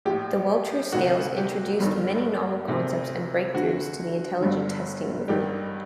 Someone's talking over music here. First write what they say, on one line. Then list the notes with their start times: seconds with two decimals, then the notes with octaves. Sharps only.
The Wechsler scales introduced many novel concepts and breakthroughs to the intelligence testing movement.
0.05 A#1 A2 G4
0.92 D2 C3 D#3 F#4
1.37 G4
1.80 G1 G2 D#3
2.67 D2 C3 D#3
3.54 D2 D3 F#4
4.41 G1 G2 D3
5.28 A1 G2 D#3 G4